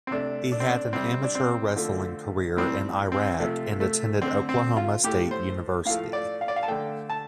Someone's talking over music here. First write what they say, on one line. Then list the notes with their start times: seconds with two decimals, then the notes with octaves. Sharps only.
He had an amateur wrestling career in Iraq and attended Oklahoma State University.
0.07 C4
0.11 C3 A3 D4
0.52 D4
0.60 C4
0.70 D4
0.93 C3 G3 C4
1.24 D4
1.35 C4
1.76 D3 F3 A3
2.57 A2 G3 C4
3.12 C4
3.40 C3 F3 A3
3.80 A3
4.22 D3 A3 C4
4.49 C4
4.77 F4
5.04 A2 A3 G4
5.31 C5
5.85 A2 F3 A3 F5
6.13 D5
6.41 F5
6.48 D5
6.56 F5
6.63 A5
6.68 D3 A3 G5
7.10 A5